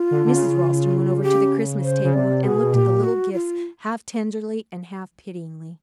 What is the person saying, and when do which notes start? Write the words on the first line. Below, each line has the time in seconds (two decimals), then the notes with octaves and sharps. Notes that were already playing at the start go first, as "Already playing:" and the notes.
Mrs. Ralston went over to the Christmas table and looked at the little gifts half tenderly and half pityingly.
Already playing: F4
0.11 D3
0.26 D3
0.33 C#3
1.23 G4
1.83 C5
2.04 C#3
2.13 C3 D5
2.44 B2 G#4
2.61 B2
2.73 A#2 G4
3.04 F#4
3.33 F4